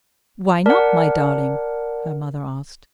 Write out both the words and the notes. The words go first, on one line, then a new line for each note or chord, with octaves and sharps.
"Why not, my darling?" her mother asked.
A#4 D5 F#5 A5